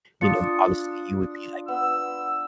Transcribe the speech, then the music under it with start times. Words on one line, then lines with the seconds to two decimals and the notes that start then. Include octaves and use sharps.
you know, obviously you would be, like,
0.21 D4 F4 D#6 A6 C#7
1.68 B3 E6